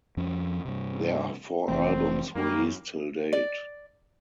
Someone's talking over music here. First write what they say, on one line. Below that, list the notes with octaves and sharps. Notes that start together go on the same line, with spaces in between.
There are four albums released till date.
F2 F3 C#4
G2 C3
F1 E3 A3 C4
F#2 G3 A#3
D5